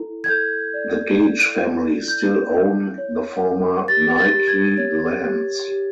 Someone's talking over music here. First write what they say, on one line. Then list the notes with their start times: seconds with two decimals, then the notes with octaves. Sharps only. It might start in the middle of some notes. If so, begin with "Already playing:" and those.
The Gage family still own the former Knightley lands.
Already playing: E4 A4
0.24 G#6
0.28 A4 G6
0.74 D5
1.18 E4
1.63 E4
2.08 E4 G6
2.53 E4
2.98 C#5
3.43 A#4
3.88 G4 A6
4.18 A6
4.33 G4
4.48 G#6
4.78 C#5 G#6
5.23 G4
5.68 G4